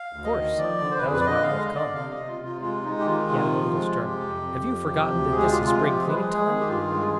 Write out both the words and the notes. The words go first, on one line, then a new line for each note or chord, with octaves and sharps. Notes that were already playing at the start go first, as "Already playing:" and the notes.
"Of course; that is why I have come." He added a little sternly, "Have you forgotten that this is spring cleaning time?"
Already playing: F5
D2
D#5
D#3
F3 D5
D3
C5
B4
F2 G#4
B4
D5
D3 D#5
F5
G#3
D#5
D3
D5
C3 F5
D#5
C3
F4
C3
F4
G#3 F4
G#3 D#4
G4
D#3 F4
C3
F3
G#3
F4
C3 G4
F2
F2
F3
C3
D2
G#3 G#4
G4
F4
C3
F4
F3
G4
G#3 G#4
B4
G#4
G#3
G#4
D#3
G4
G2 F4
G#3
G#4